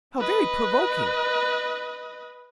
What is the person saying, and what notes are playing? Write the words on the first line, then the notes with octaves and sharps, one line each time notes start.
How very provoking!
B4 D#5